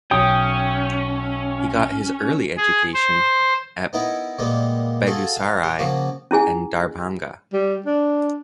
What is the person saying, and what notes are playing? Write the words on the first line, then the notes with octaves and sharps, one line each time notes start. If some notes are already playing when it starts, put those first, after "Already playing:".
He got his early education at Begusarai and Darbhanga.
B1 C#4 G5 D#6
G#4
C5
B3 D#4 E4 A#4 B4
A#2 G3 G#3 A#3 B3
F4 F#4 G#4 A4
F5
G4
C#3 F3 A#3 F#4
C#4 E4 G#4 G#5
G3
D4